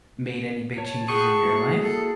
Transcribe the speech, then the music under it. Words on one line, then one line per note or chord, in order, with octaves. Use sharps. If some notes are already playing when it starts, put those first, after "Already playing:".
made any big changes in your life
C#5 A5
G#4 F#5 G5 C#6 D#6
A#3 E4 F#4
A4